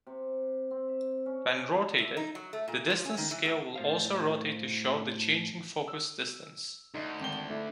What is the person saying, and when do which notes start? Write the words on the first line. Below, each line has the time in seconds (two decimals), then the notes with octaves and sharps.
When rotated, the distance scale will also rotate to show the changing focus distance.
0.07 C3
0.71 C4
0.89 E5
1.26 C#4
1.69 G#4
1.98 A2
2.17 D#4
2.35 F#3
2.53 A3
2.68 A#2
2.90 F3
3.05 C#4
3.18 D#3
3.31 E3
3.45 A2
3.76 A2 C5 F5
5.88 E6
6.94 D2 D#4
7.21 G#1 G5 G7
7.49 A3 D4 E4